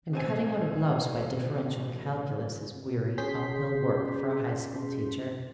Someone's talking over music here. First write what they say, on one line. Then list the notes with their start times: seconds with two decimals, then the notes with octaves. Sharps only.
And cutting out a blouse by differential calculus is weary, uphill work for a high-school teacher.
0.13 A1 B2 C4 G#5
3.18 C#4 G#4 C6 G6 B6 C7